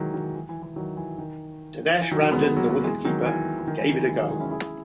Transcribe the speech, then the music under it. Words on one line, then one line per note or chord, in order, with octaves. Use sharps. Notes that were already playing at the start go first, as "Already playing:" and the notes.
Denesh Ramdin, the wicket-keeper, gave it a go.
Already playing: D#3 E3 F#3 G#3
D#3 F#3
E3
E3
E3
D#3 F#3
E3
D#3
E3
D#3 F#3
D#3 F#3
G#3 B3
G#3 B3
F#3 A#3
F#3 A#3
E3 G#3
D#3 F#3
E3
E3
D#3
E3
D#3
E3
E3
D#3 F#3
E3 G#3
C#4 E4
E4 G#4